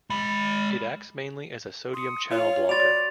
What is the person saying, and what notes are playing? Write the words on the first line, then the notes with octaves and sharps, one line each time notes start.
It acts mainly as a sodium channel blocker.
G#3 B5
C6 D#6 C#7
F4 C#5
F#4 D5 B5 C6 A6 F7